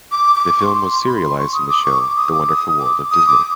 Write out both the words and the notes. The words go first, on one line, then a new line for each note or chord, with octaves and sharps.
The film was serialized in the show "The Wonderful World of Disney".
D6
D6
C#6
C6
B5
C6
C#6
D#6
D6
C#6
D6
D#6
D6
D#6
D6
D#6
D6